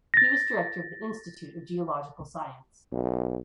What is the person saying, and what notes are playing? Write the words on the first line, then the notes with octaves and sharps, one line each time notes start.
He was Director of the Institute of Geological Science.
A6 A#6
B1